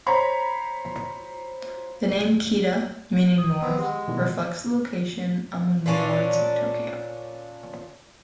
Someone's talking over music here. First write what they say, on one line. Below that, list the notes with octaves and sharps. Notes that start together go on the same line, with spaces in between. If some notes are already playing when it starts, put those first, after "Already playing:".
The name "Kita," meaning "north," reflects the location among the wards of Tokyo.
C5 C#5 A#5 B5
D#6
B3 C4
G#3 G4 F#5
B2 D#3 E3 G3
A#2 A#3 C#4 D4